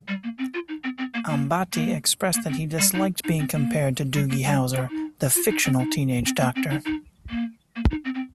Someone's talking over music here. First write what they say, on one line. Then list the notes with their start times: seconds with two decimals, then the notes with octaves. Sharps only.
Ambati expressed that he disliked being compared to Doogie Howser, the fictional teenage doctor.
0.08 G3
0.24 A#3
0.38 C4
0.54 F4
0.68 D#4
0.84 C4
0.98 C4
1.14 A#3
1.29 A#3
1.73 A#3
2.34 A#3
2.49 C4
2.79 G3
2.95 D#4
3.24 D#4
3.39 C4
3.54 A#3
4.15 G3
4.30 A#3
4.45 G3
4.74 C4
4.90 D#4
5.35 F4
5.50 D#4
5.65 C4
5.79 D#4
6.26 C4
6.40 A#3
6.55 C4
6.71 D#4
6.85 D#4
7.30 A#3
7.76 A#3
7.90 D#4
8.05 C4
8.15 C4